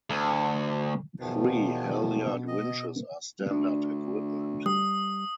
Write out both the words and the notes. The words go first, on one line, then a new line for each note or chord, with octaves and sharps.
Three halyard winches are standard equipment.
D2
E2 B2 D#3 F3
D#5
D2 D4
G3 D#6